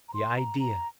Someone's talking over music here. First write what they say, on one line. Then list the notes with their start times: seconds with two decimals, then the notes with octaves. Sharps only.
The idea!
0.08 A#5
0.14 C6
0.37 A#5
0.60 A#5